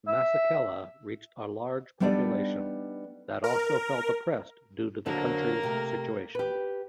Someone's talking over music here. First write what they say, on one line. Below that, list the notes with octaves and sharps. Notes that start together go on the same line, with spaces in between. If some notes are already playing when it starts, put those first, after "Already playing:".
Masekela reached a large population that also felt oppressed due to the country's situation.
E5
G3 B3 D4 D#4 A4 D5
A#4
F2 D3 F#3 A#3 A#4
C3 A3
G4 B4